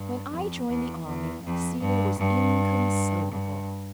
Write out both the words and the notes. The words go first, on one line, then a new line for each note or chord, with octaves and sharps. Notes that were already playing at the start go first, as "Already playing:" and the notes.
When I joined the Army, Celia was inconsolable.
Already playing: G2
F2
E2
E2
F2
G2
G2
G2